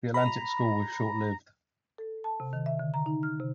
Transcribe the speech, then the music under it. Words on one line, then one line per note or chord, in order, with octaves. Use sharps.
The Atlantic School was short lived.
A#5 B5
A4
A5
C3
D#3
E5
D3
A#5
D#4
F6
C3